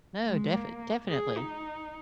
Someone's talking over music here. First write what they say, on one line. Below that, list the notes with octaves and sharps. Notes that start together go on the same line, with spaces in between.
No, def definitely.
G#3
A#3
G#4
D#4